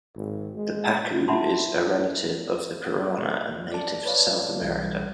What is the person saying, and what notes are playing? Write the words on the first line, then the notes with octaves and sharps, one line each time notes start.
The Pacu is a relative of the Pirana and native to South America.
G#1
G#3
E4 E5 F#5 A5 B5 C6
D5 A5
B4 C#5 D5 F5 A5
B1 E3 G3